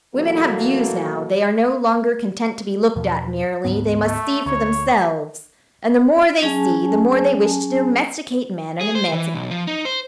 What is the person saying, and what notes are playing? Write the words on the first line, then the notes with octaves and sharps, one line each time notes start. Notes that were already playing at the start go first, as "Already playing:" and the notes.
Women have views now they are no longer content to be looked at merely; they must see for themselves; and the more they see, the more they wish to domesticate man and emancipate woman.
B2 E3 F#3 A#3 A4
E2 B2 F3
D2 G#2 B3
A3
D2 C#5
F#3 C#4 G#4 G#5 A5
G#4
C5
E3
B1
F3
D#4
C5